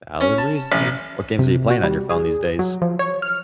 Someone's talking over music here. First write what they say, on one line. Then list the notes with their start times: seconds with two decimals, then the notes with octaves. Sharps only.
Valid reason. What games are you playing on your phone these days?
0.21 C#4
0.38 A5
0.72 A1
1.39 C3
1.70 F#4
1.84 G3
2.10 G#4
2.59 F#3
2.82 F3
2.99 C#5
3.22 F6